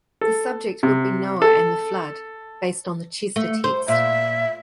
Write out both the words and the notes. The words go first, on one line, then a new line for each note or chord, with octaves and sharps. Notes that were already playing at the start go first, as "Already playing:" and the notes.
The subject would be Noah and the flood, based on the Chester text.
A4
C3
A4
A3
C5
A#2 E5